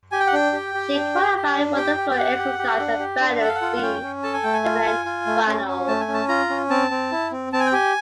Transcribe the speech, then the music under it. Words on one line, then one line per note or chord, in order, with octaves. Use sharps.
She qualified for the floor exercise and balance beam event finals.
G4 G#5
G5
F#5
D4 G5
G4
G4
D4
G4
G4
D4
G4 G5
G4
G5
G4 F#5
G4
G4
D4
G4
D4
A4 F#5
F5
F#5
F4
F#5
C#4 G5
C#4
A4 A5
G#5
A3 G5
G#5
F4
F4
F4
A3
C#4
C#4
A3 A5
G#5
C#4
A5
F4 A#5
C#4
C4 A5
C4
E4
C4
C4 A5
G#5
G5
G4 G#5